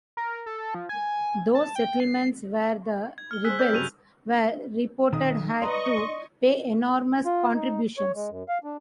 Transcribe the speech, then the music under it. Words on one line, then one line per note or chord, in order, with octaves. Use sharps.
Those settlements where the rebels were reported had to pay enormous contributions.
A#4
A4
F3
G#5
A5
G5
C7
G#6
F6 G7
G#4 C5 E6 F#6 B6
C4 A#4 D5 G6
G2 C#3 F#3 F6 D#7 F7
B1 D#3 D#6
B4 D5 D#5 A#5 C6 C#6
C6
F4
D#4
C#5
G#3
F#2
F5
D4